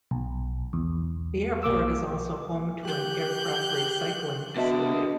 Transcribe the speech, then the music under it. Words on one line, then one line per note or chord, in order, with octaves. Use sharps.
The airport is also home to an aircraft recycling facility.
B1
E2
B1 A#3 D6 E6
G4 F#6 G6
B3 D4 F#4 D#5 E5 A5